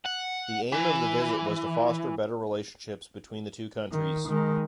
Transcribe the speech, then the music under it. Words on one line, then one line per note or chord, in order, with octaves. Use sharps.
The aim of the visit was to foster better relationships between the two countries.
F#5
E3
D#3
D#3 G#3